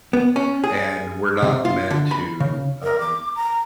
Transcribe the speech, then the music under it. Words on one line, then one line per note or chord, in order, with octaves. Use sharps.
and we're not meant to, um,
B3
C#4
G#4
C3
F4
D3
B5
C#3
A#4
D6
A#5